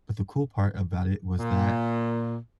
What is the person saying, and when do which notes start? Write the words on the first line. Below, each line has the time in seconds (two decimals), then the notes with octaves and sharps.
But the cool part about it was that,
1.36 A#2